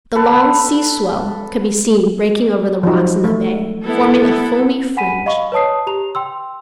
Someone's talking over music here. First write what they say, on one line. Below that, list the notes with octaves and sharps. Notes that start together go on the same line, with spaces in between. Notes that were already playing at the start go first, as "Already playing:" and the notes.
The long sea-swell could be seen breaking over the rocks in the bay, forming a foamy fringe.
A4 B4
F3 F#3 D#4
A3
B3 E4 A4
F#5 G#5 B5 B6 D#7
D#5 F5 B5 C#6
B4 C#5 A5 D#6 C7
G4 A#5 F7
G5 C6 E6